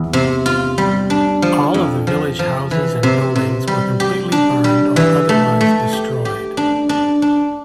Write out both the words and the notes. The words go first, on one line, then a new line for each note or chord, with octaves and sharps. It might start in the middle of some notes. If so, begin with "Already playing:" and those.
All of the village houses and buildings were completely burned or otherwise destroyed.
Already playing: E2
C3
F4
G3
D4
F3
F2
F3
F3
E3
C3
C3
G3
G4
D4
G3
E3
A3
A3
G4
G4
D4
D4
D4